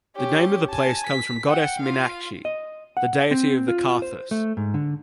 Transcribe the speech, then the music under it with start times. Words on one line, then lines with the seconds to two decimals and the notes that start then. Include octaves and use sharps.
The name of the place comes from Goddess Meenakshi, the deity of the "Karthas".
0.16 C#4 G4
0.70 G#5 A5
1.07 B6
1.47 F#5 G5
1.80 F4 F5
2.45 D#5
2.97 F#5
3.31 C4
3.68 F4
4.02 C5
4.31 A3
4.57 G#2
4.74 D3